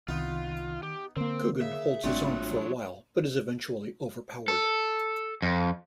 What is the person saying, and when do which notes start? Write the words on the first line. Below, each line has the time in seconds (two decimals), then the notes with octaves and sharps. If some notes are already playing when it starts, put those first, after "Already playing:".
Coogan holds his own for a while but is eventually overpowered.
0.08 C2 D#3 B3 D#4 F4
0.83 G4
1.17 D3 A#3 C4 A#4
1.61 C#3 E5
2.04 G#1 F#3 G3 A3 C4 D4 F4 F#4
4.48 A4
5.42 F2